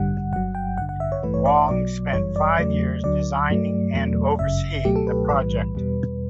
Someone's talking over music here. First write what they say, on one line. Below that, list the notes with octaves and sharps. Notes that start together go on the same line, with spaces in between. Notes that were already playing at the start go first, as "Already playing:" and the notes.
Wong spent five years designing and overseeing the project.
Already playing: A1 G2 D3 G3 F#5
G1 G2 F#3 F#5
G5
A1 G2 D3 F#5
F#5
E5
C#5
A1 G2 E3 A3 B4
C#5
D5
E5
B1 B2 F#3 D5
G1 F#2 E3 G3 C#5
D5
E2 C#3 F#3 A3 D5
D2 D3 F#3 D5
G2 F#3 A3
E2 B2 F#3 A3
G1 F#2 C#3 E5
C#2 B2 F#3 A3 G4
A4
B4
B1 A2 E3 G3 B4
E2 B2 G3